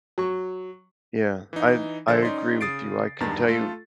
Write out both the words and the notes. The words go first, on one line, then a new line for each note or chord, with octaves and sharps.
Yeah, I I agree with you, I can tell you
F#3 C#6
E3 D#4
D3 F3 A4 C5 E5 A6
C#4 D#4 D5 C6
C#3 D#6 A6 C7 D7
E2 G2 D#3 A5 A#5 A6
A3 F4 A4